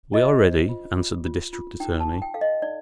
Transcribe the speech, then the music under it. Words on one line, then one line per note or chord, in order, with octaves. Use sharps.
"We are ready," answered the District Attorney.
F4 D#5
C5
F4
F4
F4
F4
D#4 G5
A5
D#4
G5
A4 F5
D#5
D#4 D5